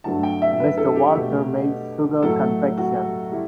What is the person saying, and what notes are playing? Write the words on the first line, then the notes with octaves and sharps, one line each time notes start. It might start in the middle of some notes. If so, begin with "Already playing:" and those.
Mr Walther made sugar confections.
G2 F#3 A3 A5
G5
E5
B4
A4
G4
B2 A3
A2 F#3 A3 A4
F#4
G3 E4